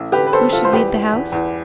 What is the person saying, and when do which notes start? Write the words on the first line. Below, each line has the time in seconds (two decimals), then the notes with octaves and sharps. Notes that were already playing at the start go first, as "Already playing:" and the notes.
Who should lead the House?
Already playing: A1
0.12 D3 G4 B4
0.27 B4
0.32 D3 A4 C5
0.52 A1 F4 A4
0.65 C5
0.72 E2 G4 B4
0.92 E2
1.13 E2
1.32 E2